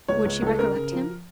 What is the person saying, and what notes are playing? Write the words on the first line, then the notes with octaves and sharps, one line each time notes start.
Would she recollect him?
C#2 C#5
C#2
C#2 A4
C#3 A#4
C#3
F3